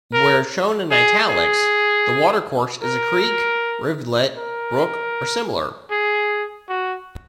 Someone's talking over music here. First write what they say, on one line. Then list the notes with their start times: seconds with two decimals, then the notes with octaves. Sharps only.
Where shown in "italics", the watercourse is a creek, rivulet, brook, or similar.
0.13 A#4
0.91 G#4
1.29 G#4
2.83 A#4
4.37 A#4
5.91 G#4
6.69 F#4